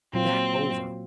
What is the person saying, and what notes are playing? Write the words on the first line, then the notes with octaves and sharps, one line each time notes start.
That over!
A#2 F#3 C4 F4